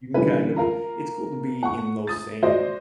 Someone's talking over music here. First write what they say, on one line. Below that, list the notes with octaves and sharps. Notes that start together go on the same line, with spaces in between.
you can, kind of it's cool to be in those same
D3 E3 G3 C#4 B4
F4 A#4 F5 A#5
F#5 C#6
D#6 A6
F#4 C5 D5 D#5